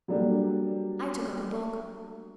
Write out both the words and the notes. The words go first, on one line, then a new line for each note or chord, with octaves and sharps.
I took up a book.
F#3 G3 A#3 D4 G4 A4